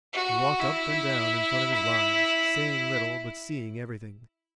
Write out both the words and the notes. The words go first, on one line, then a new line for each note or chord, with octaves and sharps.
He walked up and down in front of his lines, saying little but seeing everything.
F#4
E4